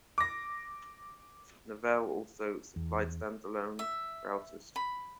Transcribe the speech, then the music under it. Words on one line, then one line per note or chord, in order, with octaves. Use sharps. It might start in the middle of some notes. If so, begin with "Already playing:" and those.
Novell also supplied stand-alone routers.
D6 A#6
E2
E5
B5